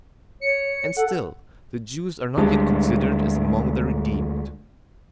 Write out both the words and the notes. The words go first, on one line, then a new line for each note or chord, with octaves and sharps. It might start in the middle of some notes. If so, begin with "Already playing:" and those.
And still the Jews are not yet considered as among the redeemed.
C#5 C#7
A4 F#5
D2 G3 G#3 D4